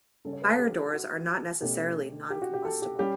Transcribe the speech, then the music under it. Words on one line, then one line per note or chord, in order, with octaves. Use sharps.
Fire doors are not necessarily noncombustible.
C#3 G3 C#4 A4
C#5
B4
A4
G4
F#4
B2 A3 C#4 G4
G4
F#4
G4
A4
G4
G3 C#4 G4